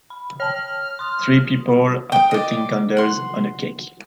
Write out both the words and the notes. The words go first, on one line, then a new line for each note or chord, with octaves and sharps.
Three people are putting candles on a cake.
B5
C#5 A5 F6
C6 D#6
G5 D#6
D5 D#5
F#5 C6